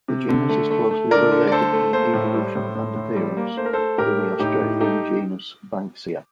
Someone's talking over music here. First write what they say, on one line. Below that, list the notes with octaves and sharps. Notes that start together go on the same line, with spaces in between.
The genus is closely related in evolution and appearance to the Australian genus "Banksia".
C3
D3
A3
A3
A3
D3 A#4 D5
D3
D5
A3 A4 C5
A3
A#3 A4 C5
A2
G3
A2
A2
A2
G3
A#3
A3 C5
A#4
A3 A4 C5
A2 G4 A#4
A3
A2 D#4 G4
A2
A3 D#4 G4